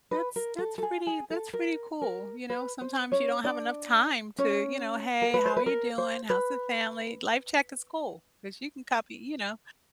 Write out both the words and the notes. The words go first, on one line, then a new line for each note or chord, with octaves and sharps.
that's that's pretty that's pretty cool, you know? Sometimes you don't have enough time to, you know, "Hey, how are you doing? How's the family?" "Life check" is cool 'cause you can copy you know,
B4
A#4
A4
A4
G#4
G#4
A4
A#4
A#4
B4
C5
C#4 C#5
D4 D5
C#4 C#5
A#4
B4
C5
B4
A#4
C5
B4